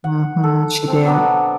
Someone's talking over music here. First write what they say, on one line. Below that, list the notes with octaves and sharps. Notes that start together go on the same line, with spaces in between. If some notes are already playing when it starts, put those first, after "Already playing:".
Mhm. She did.
F#5
A4
C4 A5 C6
B2 F#3 B3 D4